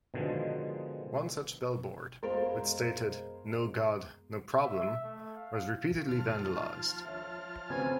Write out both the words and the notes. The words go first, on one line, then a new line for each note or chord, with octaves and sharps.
One such billboard, which stated "No God...No Problem" was repeatedly vandalized.
B2 D3 D#3 F3 G#3
F#2 G#3 B3 A#4 C5 F5
E5
A3
F5
D#2 F3 A5 F6
C#5 E5
C#3 B3 C4 B4 G#5 B5